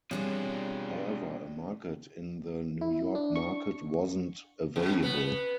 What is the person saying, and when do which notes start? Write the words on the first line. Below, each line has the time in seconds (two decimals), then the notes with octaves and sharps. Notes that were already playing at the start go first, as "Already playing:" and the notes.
However a market in the New York market wasn't available.
0.11 B2 G3 C4 D4 F4 G#4 C#5
2.81 E4
3.15 D4
3.36 C#6
4.76 F2
5.03 B3